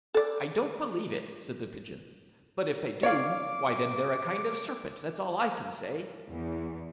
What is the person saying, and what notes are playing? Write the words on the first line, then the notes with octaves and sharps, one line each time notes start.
'I don't believe it,' said the Pigeon; 'but if they do, why then they're a kind of serpent, that's all I can say.'
A4 D5
C#5 D5 F5 D6
E2